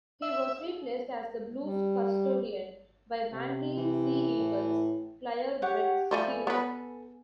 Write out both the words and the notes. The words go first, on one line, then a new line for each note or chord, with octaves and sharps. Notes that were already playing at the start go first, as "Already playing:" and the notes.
He was replaced as the Blues custodian by Manly Sea Eagles flyer Brett Stewart.
E5
G3
C3
E3
A2
G4 C#5 F#5
F3 G3 A3 A4 G#5 B5
B3 B4